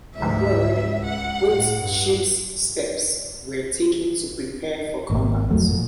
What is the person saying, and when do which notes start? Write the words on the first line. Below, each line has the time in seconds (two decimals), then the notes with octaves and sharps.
Aboard both ships steps were taken to prepare for combat.
0.15 D2 G#2 F3 E5
0.56 C#2
1.04 F#5
1.46 A2
1.79 G2
5.10 G#1 B2 A#3
5.51 F2 F#3 A3
5.67 A#2 F3